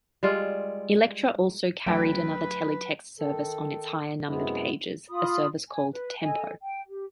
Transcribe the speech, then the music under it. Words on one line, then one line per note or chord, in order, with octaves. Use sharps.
Electra also carried another teletext service on its higher-numbered pages, a service called "Tempo".
G3 G#3 F4
D2 F#3 B4 G5
D#3 A4
F#2 C3 G#3 B3 E4
F4 B5 D#6
G#5
B4
A4 D#5 G#5
G5
G4